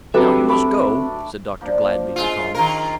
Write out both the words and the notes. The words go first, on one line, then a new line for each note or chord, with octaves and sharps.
"Now you must go," said Dr. Gladby to Tom.
F#3 G3 C4 D4 A4 B4 E5
A3 B5 D6
F3 A#3 D4
G#3 F4
D#3 F4 A#4